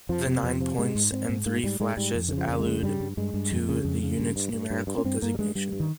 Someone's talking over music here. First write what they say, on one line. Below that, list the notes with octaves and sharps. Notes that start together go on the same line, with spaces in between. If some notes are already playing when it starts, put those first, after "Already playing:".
The nine points and three flashes allude to the unit's numerical designation.
F2 F3
C3
F2 F3
C3 F3
G#2 G#3
G#2
G#2 C4
G#2
G#2 A#3
G#2 G3
G#2 G#3
G#2 G3
F2
D#3
C#3
F3
F2
G#3
C#3
G2 G3
G2
G2 G#3
G2
F2
C#3
F2
C#3
G2
G2
G2
G2
G2
C#4
G2 C4
G2 A#3
G3
G2 G#3
G2 G3
G2
D#3